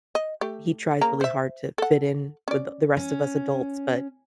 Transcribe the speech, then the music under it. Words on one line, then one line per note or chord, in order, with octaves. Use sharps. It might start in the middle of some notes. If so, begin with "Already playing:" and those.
he tries really hard to fit in with the the rest of us adults, but
D#5
A3 G4
C#3 A#3 A#5
C5 E5
A4 F#5
C#4 D5
C#4